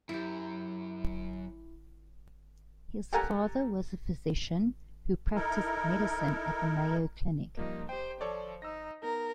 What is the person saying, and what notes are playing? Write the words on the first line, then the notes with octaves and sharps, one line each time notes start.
His father was a physician who practiced medicine at the Mayo Clinic.
F#2 E4 G4
G4 A4 A#4 F#5 G#5 A#5
D#4 E4 A4 A#4
F3 G3 A#3 D#4
G4 C5 G5
F3 A4 C#5 D5
D#4 E6 A#6
B3 D#4 A#4